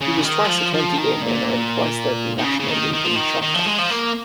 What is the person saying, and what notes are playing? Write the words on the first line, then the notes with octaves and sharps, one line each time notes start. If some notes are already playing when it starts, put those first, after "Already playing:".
He was twice a twenty-game winner and twice led the National League in shutouts.
C#3
F3
D#3
G#3
F3
F3
D#3
A#2
D#3
C#3
C#3
D#3
D#3
F3
D#3
D#3
F3
G#3
F3
A#3